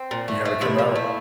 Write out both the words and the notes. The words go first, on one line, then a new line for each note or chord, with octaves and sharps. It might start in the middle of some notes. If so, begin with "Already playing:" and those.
You gotta come out.
Already playing: C4
A#2
A3
A3
C3 E4
F3
A3